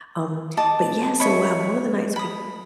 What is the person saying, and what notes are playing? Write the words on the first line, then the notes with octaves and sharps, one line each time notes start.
Um, but yeah, so we'll have one of the nights will be
D#5 A5 D6
C#5 D#5 E5 B5
B5 D#6